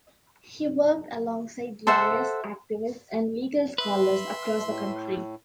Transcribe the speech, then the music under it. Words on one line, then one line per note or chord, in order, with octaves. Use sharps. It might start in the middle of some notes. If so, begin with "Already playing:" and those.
He worked alongside lawyers, activists, and legal scholars across the country.
A4 C5 E5 F#5
B4 E5 C6
A2